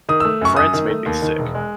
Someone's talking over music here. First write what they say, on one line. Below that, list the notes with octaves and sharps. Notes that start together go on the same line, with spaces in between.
France made me sick.
D#3 D#6
E6
A3
F#2 C#6
F#2 D#6
D#3
A3
D#2
D#3
E1
G#3